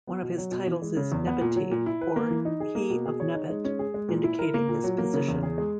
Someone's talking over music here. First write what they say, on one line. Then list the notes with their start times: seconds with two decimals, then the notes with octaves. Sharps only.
One of his titles is "Nebuty" or "He of Nebut" indicating this position.
0.07 B3
0.22 B2
0.38 F#3
0.52 B2
0.67 E3
0.82 G#3
0.97 C#3
1.12 E2
1.27 B3
1.41 A#2
1.56 F#3
1.71 A#2
1.86 E4
2.01 B4
2.16 A#3
2.31 E3
2.45 D#4
2.60 G#4
2.75 A#3
2.90 B2
3.06 G#4
3.20 C#5
3.34 D#4
3.50 G#3
3.65 C#4
3.79 G#4
3.94 G#3
4.09 A#2
4.24 E4
4.39 A#4
4.54 A#3
4.68 A#2
4.84 F#3
4.98 A#3
5.14 C#3
5.28 E2
5.43 G#4
5.58 G#3